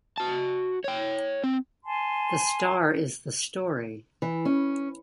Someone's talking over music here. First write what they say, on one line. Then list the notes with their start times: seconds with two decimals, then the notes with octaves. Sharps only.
The star is the story.
0.18 F#4 A5
0.84 C#5 G5
1.44 C4
1.84 G#5 A5 C6
4.22 E3
4.45 C#4